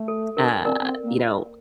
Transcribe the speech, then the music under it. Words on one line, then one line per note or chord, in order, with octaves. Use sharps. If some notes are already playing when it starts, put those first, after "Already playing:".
uh, you know,
Already playing: A3
A4
D4 A#4
C4 A#4 D5
C4
A#3